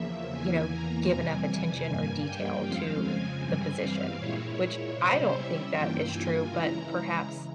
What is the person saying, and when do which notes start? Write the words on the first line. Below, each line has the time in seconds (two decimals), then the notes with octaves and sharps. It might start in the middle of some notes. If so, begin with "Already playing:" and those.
you know, give enough attention or detail to the position, which I don't think that is true, but perhaps
Already playing: E2 C#3 F3 A#3 E5
0.33 E2 E3 A#3 G#5
0.72 A#5
1.10 F2 C3 E3 G3 G#5
1.87 G2 G3 A#3
2.26 G5
2.64 F2 C#3 F3 G#3 C4 F5
3.03 G#5
3.41 G2 E3 G3 C4 G#5
3.80 F5
4.17 A#2 G#3 E4 C#5
4.95 C3 G3 C#4 E4 C5
5.34 E5
5.72 G2 E3 A#3 F4 G5
6.10 G#5
6.48 C#3 E3 G#3 E4 A#5